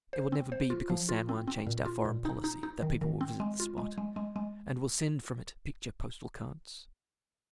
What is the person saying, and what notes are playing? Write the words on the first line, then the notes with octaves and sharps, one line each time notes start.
It will never be because San Juan changed our foreign policy that people will visit the spot, and will send from it picture postal cards.
C5
C4
C5
F4
F3
F4
C4
C4
A#2
F4
A#2
D#4
D#4
D#4
D#3
D#3
C4
G#3
F4
G#3
G#3
G#3
G#3